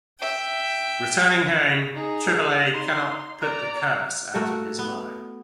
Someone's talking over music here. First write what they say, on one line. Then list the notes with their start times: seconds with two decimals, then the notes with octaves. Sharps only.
Returning home, Triboulet cannot put the curse out of his mind.
0.20 E5 G5
1.95 D#4 G#4
2.73 D#4 C6
3.41 D5 A#5
4.34 A3 A#3 F#4 A4
4.79 B3